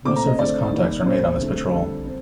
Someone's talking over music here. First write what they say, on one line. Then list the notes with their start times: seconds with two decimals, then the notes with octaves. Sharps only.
No surface contacts were made on this patrol.
0.05 A#2 A3 C4 D6
0.16 A#5
0.27 D#5
0.38 D3 A3 C4 D5
0.72 D#3 G3 A#3
1.06 A#2 G3 C4 C5
1.39 D3 A3 C4
1.72 D3 G3 C4 A4
2.06 C4